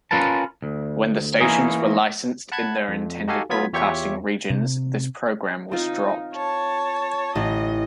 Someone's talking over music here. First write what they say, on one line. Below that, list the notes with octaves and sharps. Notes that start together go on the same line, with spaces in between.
When the stations were licensed in their intended broadcasting regions, this program was dropped.
C#4 F4 A#4 B4 A5
D2
E3 A#3 C#4 D#4 G#4
F#5 A5 B5 F#6 G#6
F2
D#4 F#4 G4 A4 F5 G#5
F#3 B3 F4 G#6 B6
E2 F4 G4 C#5 E5 C#6
C3
C4 D#4 F4
C#5 A5
A1 D#5